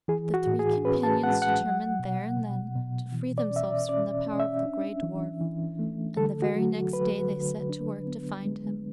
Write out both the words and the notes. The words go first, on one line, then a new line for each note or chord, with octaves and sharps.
The three companions determined there and then to free themselves from the power of the gray dwarf, and the very next day they set to work to find him.
E3 G#4
F#4
A2
G#4
C#4 B4
A5
G#3 F#5
F#5
F#3
B2
B2
B2
E3
D5
C#4
E5
D5
C#4 D5
C#4
E5
D4
E3
E3
A3
D3 A4
F#4
F#3
F#3 B4
D3
D4
B3
G#3